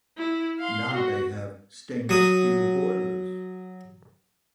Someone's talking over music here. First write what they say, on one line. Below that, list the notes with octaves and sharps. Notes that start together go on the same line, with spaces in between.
Now they have stainless steel boilers.
E4
F5 C6
F#4
F#3 D#6